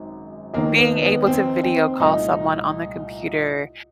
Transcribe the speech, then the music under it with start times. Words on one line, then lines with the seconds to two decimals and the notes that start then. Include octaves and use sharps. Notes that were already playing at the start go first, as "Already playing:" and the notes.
Being able to video call someone on the computer,
Already playing: G#1 F#2
0.54 F1 D#2 D#3 A#3
0.78 B3
1.02 B3
1.27 C4
1.64 C4
2.00 C2 A#2 F3 A3 D#4